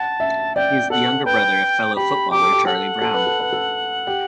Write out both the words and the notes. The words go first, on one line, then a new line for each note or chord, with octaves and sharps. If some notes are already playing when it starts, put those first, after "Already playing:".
He is the younger brother of fellow footballer Charlie Brown.
Already playing: F#5 A5
E5
D5 G5
A4 F#5
B4 G5
G4 B5
G4 D6
A4
G4
A4 F#5
A4
B4
A4
B4
A4
G4